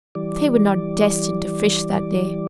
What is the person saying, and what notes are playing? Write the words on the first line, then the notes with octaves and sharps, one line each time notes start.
They were not destined to fish that day.
E3 G3 D5